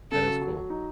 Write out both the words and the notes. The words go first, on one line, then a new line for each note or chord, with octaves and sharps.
That is cool.
C#3 A4
F#3
F#3
F#3
D#4